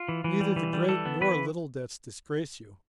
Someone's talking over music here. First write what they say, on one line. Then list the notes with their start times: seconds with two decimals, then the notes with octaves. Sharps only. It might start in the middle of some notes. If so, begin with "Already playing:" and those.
Neither the great nor little debts disgrace you.
Already playing: F4
0.09 E3
0.24 E3
0.40 G3
0.56 E3
0.73 G3
0.89 E3 A4
1.05 B3
1.21 E3 B4